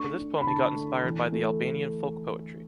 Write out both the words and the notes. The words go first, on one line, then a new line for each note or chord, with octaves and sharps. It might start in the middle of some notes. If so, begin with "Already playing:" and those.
For this poem he got inspired by the Albanian folk poetry.
Already playing: A3 D4 C#6
D4
B5
D3 A5
A3
E3
A3